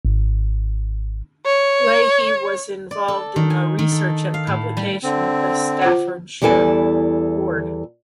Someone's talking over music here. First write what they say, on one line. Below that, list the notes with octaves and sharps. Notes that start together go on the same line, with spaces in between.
Leahy was involved in the research and publication of the Staffordshire Hoard.
G#1
C#5
D5
A4
D#3
G#5
D#3
A4
F5
A2
G3
D3 C4
F4 C5 F#5
E2 G3 E4 A4 G#5